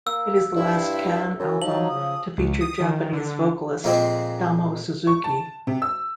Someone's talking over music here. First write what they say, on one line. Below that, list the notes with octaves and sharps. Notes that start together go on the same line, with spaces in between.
It is the last Can album to feature Japanese vocalist Damo Suzuki.
A#3 E6
G2 E4 C5
F#2
F3 F#3 D#4 A5 F#7
C#3 D#6
C#2
D#6
D#3
D3
F2 A#2 F3 G#3 C4
C#6
A5
C3
E6